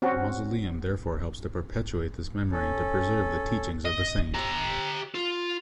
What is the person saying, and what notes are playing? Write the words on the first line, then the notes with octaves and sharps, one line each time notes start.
The mausoleum therefore helps to perpetuate this memory and to preserve the teachings of the saint.
C4 C#4 F#4
C#4 A4
D#5
G4 A#5
F4